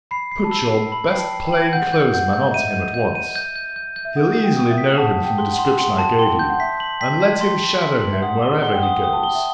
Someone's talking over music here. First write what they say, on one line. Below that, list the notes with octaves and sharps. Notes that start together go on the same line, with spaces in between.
Put your best plainclothes man on to him at once--he'll easily know him from the description I gave you--and let him shadow him wherever he goes.
B5 C7
C7
A5
B5 E6
C7
B5 F#7
G5 C7
A5
C7
G5
F#7
F#5 G6
G6
F#5 G6
G6
D#5
E5 D#7
G6
G6
D#7
G6
G6
G6
G6
E5
F#5 D#6
G6
G5
D#6
E5
B6
F#5 A5
A5
G5
C6
F#5
C6
F#5 C6
A5
G5 C6
G6
F#5
E5 B6
F#7
G5 B6
B6
C6
F#7
B6
F#7
E5
F#5 D#6
G7
F#5 G7
G5
F#5 D#6
G5 D#6
A5
G5 G7
E5